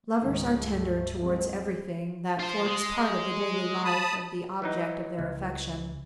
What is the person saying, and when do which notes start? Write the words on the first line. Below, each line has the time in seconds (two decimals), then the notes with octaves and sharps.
Lovers are tender towards everything that forms part of the daily life of the object of their affection.
0.19 C#2 G#2 D#3
0.55 C#2 G2 A3
1.18 F#3 G#3 C4
2.39 F4 C5
2.66 G#3
3.85 A5 B5 D#6
4.62 E3 F#3 D#4
5.18 C#2